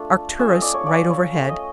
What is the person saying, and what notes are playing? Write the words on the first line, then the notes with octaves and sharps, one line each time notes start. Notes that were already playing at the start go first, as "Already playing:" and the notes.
Arcturus right overhead.
Already playing: A3 D4 F4
A3 C#4 F4 E5
D#5
D5
C#5
A3 C#4 F4 D5
C#5
A3 C#4 F4
D#5